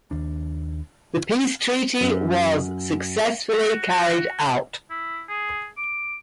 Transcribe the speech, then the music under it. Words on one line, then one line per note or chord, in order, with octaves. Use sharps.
The peace treaty was successfully carried out.
D#2 D4
F#2
F#4
E4
G#4
D6